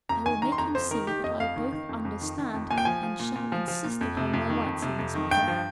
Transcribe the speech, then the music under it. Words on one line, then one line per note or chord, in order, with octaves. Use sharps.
I will make him see that I both understand and shall insist upon my rights in this matter.
F2 A#5
D#3 G#5
D#3 A#5
C6
F2 A#5
F2 C5
D#3 A#4
D#3 G4
F2 D#5
F2 F5
D#3
D#3
F2
F2
D#3
D#3
F2
A#2 G#5
G5
F3 G#5
F3
A#2
A#2
F3
F3
A#2
F2
C3
F2
D#3
F2
C3
F2
D#3
G2 G5
F3